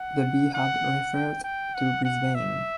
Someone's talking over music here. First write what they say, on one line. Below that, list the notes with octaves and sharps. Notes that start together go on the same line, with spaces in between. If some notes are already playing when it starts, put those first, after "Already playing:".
The B had referred to Brisbane.
Already playing: F#5
F#5
G5
G5
F#5
F#5
E5